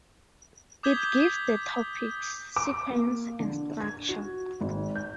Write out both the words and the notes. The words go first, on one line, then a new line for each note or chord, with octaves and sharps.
It gives the topics' sequence and structure.
D6 D#6 G6 G#6 B6 G7
D6
A#3
D3
G#6
F#4
G#1
G6